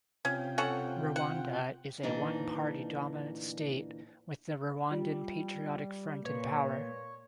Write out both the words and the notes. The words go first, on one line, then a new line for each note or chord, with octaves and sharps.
Rwanda is a one-party-dominant state with the Rwandan Patriotic Front in power.
C3 C#4 F4 G5
C#4 A4 F#5
F#5
D2 A#2 E3 D4 D#4
G3 F4
A#2 B4 C#5